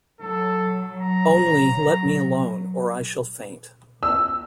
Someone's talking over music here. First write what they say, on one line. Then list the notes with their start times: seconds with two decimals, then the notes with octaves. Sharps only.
Only, let me alone, or I shall faint.
0.21 F#3 A4
1.00 A#5
4.03 E6